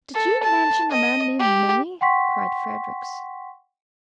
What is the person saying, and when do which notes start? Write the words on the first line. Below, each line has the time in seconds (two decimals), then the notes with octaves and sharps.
"Did you mention a man named Mooney?" cried Fredericks.
0.14 A4
0.43 A5
0.91 D#5
1.39 G4
2.01 F#5 G5 C6 C#6 B6